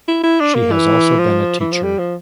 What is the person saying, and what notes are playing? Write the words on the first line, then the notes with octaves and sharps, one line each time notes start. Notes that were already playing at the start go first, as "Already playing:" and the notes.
She has also been a teacher.
E4
E4
D4
A#3
E3
F3
E3
F3
G3
F3